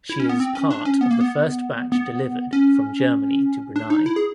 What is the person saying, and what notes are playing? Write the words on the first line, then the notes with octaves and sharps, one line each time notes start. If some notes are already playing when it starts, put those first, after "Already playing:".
She is part of the first batch delivered from Germany to Brunei.
E4
C#4
B3
C4
C#4
D4
C#4
B3
A#3
B3
B3
C#4
D4
D#4
E4
G#4